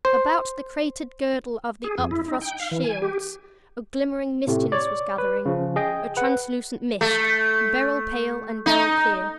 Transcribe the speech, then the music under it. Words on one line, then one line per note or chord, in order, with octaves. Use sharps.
About the cratered girdle of the upthrust shields a glimmering mistiness was gathering; a translucent mist, beryl pale and beryl clear.
C5
G#4
F2
E4
D#4
G5
F5
E3
G#5
G4
A2 C3 A3
C#5 D5
B4
C#3 F3
G#4 D#5 G5
B4 F#5
A3
D#4